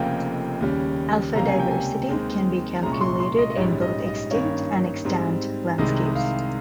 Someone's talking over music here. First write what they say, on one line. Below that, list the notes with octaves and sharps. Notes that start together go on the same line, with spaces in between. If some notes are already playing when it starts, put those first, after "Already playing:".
Alpha diversity can be calculated in both extinct and extant landscapes.
Already playing: F1 F2 C#3 F3 A#3 G5
D#2 C#3 G3 C#4
C#2 C3 G3 A#3 C#4 A#5
G#5
G5
G#5
D#2 D#3 G#3 C4
C2 A#2 G#3 C#4 A#5
C#6
C6
C6
D#5
D#5
A#1 G#2 G3 C#4 C#5
D#5
D#5
G2 D#3 A#3 C#4 C#5
G#2 G3 C4
C2 C3 D#3 G#3 D#5
F5